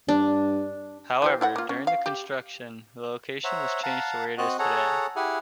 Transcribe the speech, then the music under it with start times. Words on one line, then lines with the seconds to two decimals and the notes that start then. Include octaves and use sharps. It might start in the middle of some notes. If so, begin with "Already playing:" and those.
However, during the construction, the location was changed to where it is today.
0.09 G2 D4
1.22 E3 G4 C5
1.41 E4 E5 F#5
1.56 A#3 F4
1.69 C#4
1.87 F5
2.06 G4
3.44 C5 C#5 E5 F#5 A#5
3.83 F5 F#5 A5 A#5
4.38 C4 F#4 D#5 F#6
4.59 G#4 A4 C#5 F#5 A#5
5.16 E4 G4 G#4 F#5 G#5